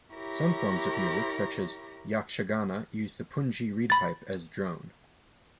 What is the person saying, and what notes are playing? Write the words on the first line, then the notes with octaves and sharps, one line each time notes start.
Some forms of music such as Yakshagana used the pungi reedpipe as drone.
E4 G4 A#4 C#5 A#5 A#6
B5 A6